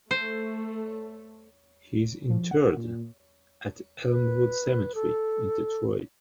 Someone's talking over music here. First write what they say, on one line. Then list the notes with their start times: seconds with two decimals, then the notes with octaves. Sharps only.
He is interred at Elmwood Cemetery, in Detroit.
0.11 A3 C5
2.30 F3
2.51 F#5
2.77 A#2
4.09 B4
4.95 A4